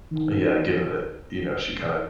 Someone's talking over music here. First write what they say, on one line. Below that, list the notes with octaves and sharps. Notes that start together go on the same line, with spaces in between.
Yeah, given that, you know, she kind of
D#3